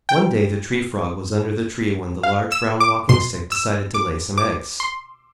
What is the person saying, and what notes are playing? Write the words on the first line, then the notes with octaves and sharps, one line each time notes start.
One day the Tree Frog was under the tree when the large Brown Walking-Stick decided to lay some eggs.
G5
F5
E6
D6
B2 C6
E6
D6
D6
C6